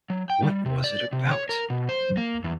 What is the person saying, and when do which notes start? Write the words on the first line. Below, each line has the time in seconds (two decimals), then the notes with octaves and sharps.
What was it about?
0.10 F#3
0.30 G5
0.43 G3
0.66 C3
0.84 D5
1.13 C3
1.31 C#5
1.49 A#4
1.70 B2
1.89 C5
2.17 A#3
2.44 E2